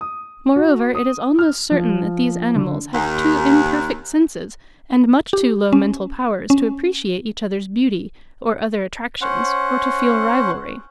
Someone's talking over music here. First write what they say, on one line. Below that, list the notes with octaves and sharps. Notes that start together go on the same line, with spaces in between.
Moreover it is almost certain that these animals have too imperfect senses and much too low mental powers to appreciate each other's beauty or other attractions, or to feel rivalry.
D#6
F#4
D#6
F6
F3
D3
D#2
G4
C#4
C#4
C#4 C5 F#5